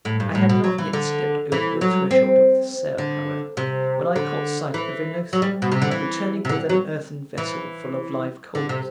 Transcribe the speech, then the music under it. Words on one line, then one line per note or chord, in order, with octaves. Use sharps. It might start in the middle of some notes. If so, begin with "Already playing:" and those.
I had not yet stepped over the threshold of the cell, however, when I caught sight of OEnothea returning with an earthen vessel full of live coals.
A2
G2
A2
B2
F#3
E3
D3
E3
F#3
C4
D3
C3
D3
E3
F#3
G3
B2
C3
D3
E3
C3
D3
F#3
E3
D3
C3